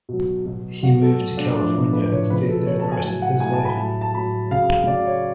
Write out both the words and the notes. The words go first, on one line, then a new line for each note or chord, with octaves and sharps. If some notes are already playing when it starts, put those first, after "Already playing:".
He moved to California and stayed there the rest of his life.
B2 F#3
B2 F#3
B2 F#3 F#4
A4
B2 F#3
D4
A2 F3 D4
D4
A2 F3 B4
C#5
C#3 F3 B4
A4
C#3 F3 C#5
A5
G#5
A2 F#3 G#5
F#5
A2 F#3 G#5
A5
B5
A2 F#3 A5
A5
A2 F#3 B5
C#3 F#3 F5
F5
C#3 F#3 D5
C#5